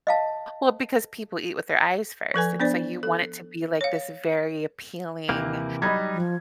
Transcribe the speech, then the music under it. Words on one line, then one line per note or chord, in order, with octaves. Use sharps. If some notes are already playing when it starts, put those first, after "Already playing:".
Well, because people eat with their eyes first, and so you want it to be, like, this very appealing
D#5 F5 A5
F3 A4 B4 G#5
B3 D4 C5 D5
A4
C#5 F5
D#2 C3 E3 A#3 E4 G6
F#3 G3 D#4 D#5 G5 B5 F#6 G#6
F3